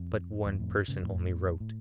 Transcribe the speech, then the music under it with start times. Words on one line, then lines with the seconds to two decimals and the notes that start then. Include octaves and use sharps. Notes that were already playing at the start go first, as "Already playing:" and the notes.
"But one person only wrote!"
Already playing: F2
0.46 E2 G2
0.59 F2 A2
0.88 A2 C#3
1.02 F2 A2
1.60 A2